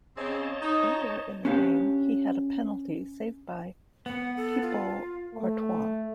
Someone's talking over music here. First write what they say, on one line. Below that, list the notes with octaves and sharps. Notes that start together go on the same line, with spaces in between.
Earlier in the game, he had a penalty saved by Thibaut Courtois.
C#3 C4 C#5 D#5 A5
D#4
C#4 D4 G4 F5
B3 F#5
A4
F4
A3